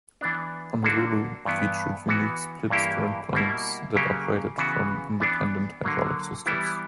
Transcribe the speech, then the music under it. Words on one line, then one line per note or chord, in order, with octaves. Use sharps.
"Honolulu" featured unique split stern planes that operated from independent hydraulic systems.
E3 B3 D4
D3 A#3 D4 F#4
G2 E3 B3
E3 B3 F#4
G2 E3 A#3 E4 G4
B2 G3 A#3 E4
C#3 F#3 A#3 C#4 G4
C#3 E3 B3 F#4
E3 B3 D4
D3 F#3 A#3
E3 G3 B3 E4